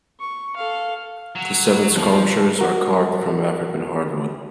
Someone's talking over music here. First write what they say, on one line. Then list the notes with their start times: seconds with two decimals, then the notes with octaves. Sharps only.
The seven sculptures are carved from African hardwood.
0.20 C#6
0.57 A4 F5
1.35 F#3
1.68 B4
1.95 E2 C#3 F3
2.59 F#4 A#4